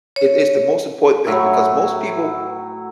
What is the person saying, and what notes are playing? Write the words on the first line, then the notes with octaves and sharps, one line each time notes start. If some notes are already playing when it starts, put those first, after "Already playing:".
It it's the most important thing, because most people
C#5
A2 F#3 E4 C#6